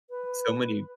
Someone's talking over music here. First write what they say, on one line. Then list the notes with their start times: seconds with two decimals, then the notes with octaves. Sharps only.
so many
0.10 B4